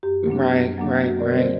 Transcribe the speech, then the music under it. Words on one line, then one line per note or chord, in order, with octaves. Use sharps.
Right, right, right.
F#2 G4
F#3 A#3 D4
F#2
F#3 A#3 D4
F#2 F#4
A#4 D5
D3 G3 C4
C5 D#5